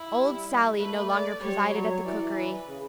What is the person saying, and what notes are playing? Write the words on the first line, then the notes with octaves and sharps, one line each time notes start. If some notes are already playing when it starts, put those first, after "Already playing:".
Old Sally no longer presided at the cookery.
Already playing: E4
G3
A3 B4
D5
G3 C#5
F#3
E3 D5
B4
C#3